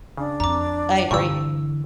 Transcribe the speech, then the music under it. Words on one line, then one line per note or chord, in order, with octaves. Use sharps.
I agree.
C#3 D4
F2 A#5 D6
G2 A#2 D3 E3 G3 C#6 E6